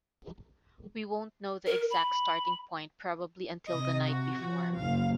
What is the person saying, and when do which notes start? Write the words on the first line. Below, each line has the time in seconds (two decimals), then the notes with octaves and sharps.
We won't know the exact starting point probably until the night before.
1.67 A#4
1.91 B5
3.68 C3 D#5
4.07 F#4
4.39 F3
4.75 F#1 F5